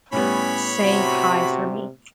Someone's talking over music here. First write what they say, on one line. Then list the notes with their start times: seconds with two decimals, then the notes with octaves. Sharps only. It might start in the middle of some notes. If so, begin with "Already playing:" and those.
Say hi for me.
0.13 A2 G3 B3 C#4 C#5 B5
0.84 C3 F#4